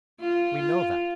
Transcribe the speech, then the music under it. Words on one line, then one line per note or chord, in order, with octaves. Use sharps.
We know that.
F4
F4